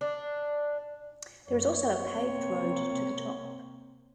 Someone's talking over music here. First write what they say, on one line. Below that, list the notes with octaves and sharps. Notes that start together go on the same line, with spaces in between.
There is also a paved road to the top.
D4
F#2 C#5
C3 A#3 C4